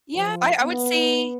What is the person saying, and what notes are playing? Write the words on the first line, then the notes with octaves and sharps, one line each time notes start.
Yeah, I I would say
F3
B3